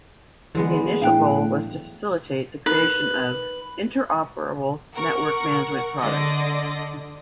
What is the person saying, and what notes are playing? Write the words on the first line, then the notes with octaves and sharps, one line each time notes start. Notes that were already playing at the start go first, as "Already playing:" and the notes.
The initial goal was to facilitate the creation of 'interoperable network management products'.
D3 E3 F#3 G#3 B3
A2 D4 E4 F5 G5 F#6
D#4 A#4 B4
A#4 F#5 C#6
D3 D5 D#5 A#6